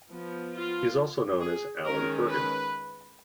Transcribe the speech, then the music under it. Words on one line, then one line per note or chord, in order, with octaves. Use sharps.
He is also known as Alan Fergant.
F3 B3
F4
G#4
D#3 G#3 C#4 A#4
B4